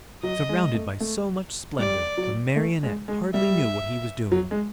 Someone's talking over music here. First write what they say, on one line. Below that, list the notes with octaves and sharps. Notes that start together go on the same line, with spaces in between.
Surrounded by so much splendor, the Marionette hardly knew what he was doing.
F#3 D#5
G#3
A3
A3
G3 D5
F#3
A3
G#3
G#3
G3 E5
F#3
G#3